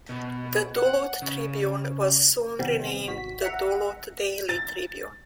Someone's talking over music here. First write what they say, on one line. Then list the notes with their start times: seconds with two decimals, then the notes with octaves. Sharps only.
The "Duluth Tribune" was soon renamed the "Duluth Daily Tribune".
0.09 B2
0.77 F#5
1.22 C#3
2.59 C3 D#3 G3 B3 C4
3.08 G#1 F#4 B6
3.42 E5 F#5 A#5
4.49 A6